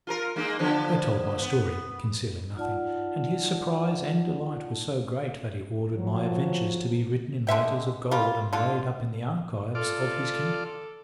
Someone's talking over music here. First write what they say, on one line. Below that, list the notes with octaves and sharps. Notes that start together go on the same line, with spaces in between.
I told my story, concealing nothing, and his surprise and delight were so great that he ordered my adventures to be written in letters of gold and laid up in the archives of his kingdom.
F4 A4 A#4
G#3 A#3 D#4
D3 F3 B3
B3
D#4 F4 D5 F#5 A5
F3 F#3
D3 G#3 E5 G5
G3 A#3 F4
D3 F4
F4 A4 D5